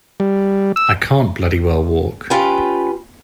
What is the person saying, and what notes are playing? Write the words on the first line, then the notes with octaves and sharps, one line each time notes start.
I can't bloody well walk.
G3
E6
C#4 F4 G4 B4 G5